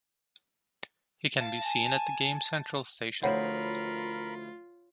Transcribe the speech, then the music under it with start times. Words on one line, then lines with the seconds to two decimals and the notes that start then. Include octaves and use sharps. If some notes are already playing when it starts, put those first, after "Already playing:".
He can be seen at Game Central Station.
1.39 F5 A5
1.63 G#5
3.23 D2 E3 F3 F4 A#4 C#5 F#5 B5